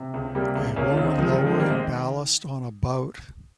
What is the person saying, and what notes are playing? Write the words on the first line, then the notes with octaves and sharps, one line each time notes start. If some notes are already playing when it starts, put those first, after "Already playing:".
A woman lowering ballast on a boat.
Already playing: C3
C#2
C3 G3 A#3
C#2
C#2 A#3 C#4
C#4 F4
C#2
C4 D#4
D#3 F3 G#3
G3
D#3
F3 G#3
C4
D#3 G3 A#3
G#3 C4